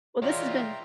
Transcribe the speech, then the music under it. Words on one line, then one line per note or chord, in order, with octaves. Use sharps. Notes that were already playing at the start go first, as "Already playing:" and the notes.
Well, this has been
E3 G#3 F4 C#5 D5 E5 G5 A#5